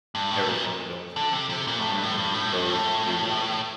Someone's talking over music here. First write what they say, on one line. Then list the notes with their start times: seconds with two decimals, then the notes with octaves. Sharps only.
Arizons Dolan Springs, Arizona, and he goes to, um
0.15 G2
0.31 A2
0.48 A#2
1.16 D3
1.33 C3
1.49 C3
1.67 A#2
1.79 A2
1.91 G2
2.03 A2
2.18 G2
2.34 A2
2.52 G2
2.69 A2